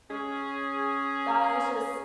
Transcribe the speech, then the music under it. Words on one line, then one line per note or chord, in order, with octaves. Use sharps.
that is just
C#4 G#4